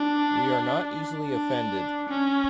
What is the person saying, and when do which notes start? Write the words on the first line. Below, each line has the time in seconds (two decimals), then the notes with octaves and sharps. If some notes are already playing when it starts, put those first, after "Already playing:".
We are not easily offended.
Already playing: D4
1.27 D4
2.09 C#4